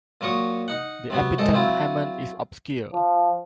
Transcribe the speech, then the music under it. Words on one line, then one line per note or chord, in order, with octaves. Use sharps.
The epithet Hammon is obscure.
A#2 F#3 A#4 C#6 D#6
D#4 F#5
C3 F#3 B3
C2 G#2 D#4 A4
F#3 C4 E4 F4
F3